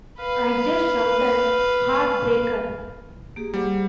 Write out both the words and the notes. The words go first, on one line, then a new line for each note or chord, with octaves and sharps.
I just shouted, 'Heartbreaker!
B4 F5
A#3 G4 G#4
G3 G#4 C5 F#5